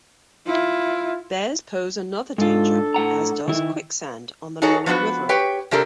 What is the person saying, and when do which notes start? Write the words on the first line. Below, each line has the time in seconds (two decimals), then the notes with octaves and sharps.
Bears pose another danger, as does quicksand on the lower river.
0.47 E4 F4
2.38 G#2 D4 F4 A4
2.94 A2 F#5 A#5
3.48 D#3 E4
4.62 D#4 F#4 G#4 A4 C#5
4.86 F3 B3 D4 F#4 B4
5.29 G4 B4 C#5 G5
5.71 C3 A#3 D4 G4 A4 A#4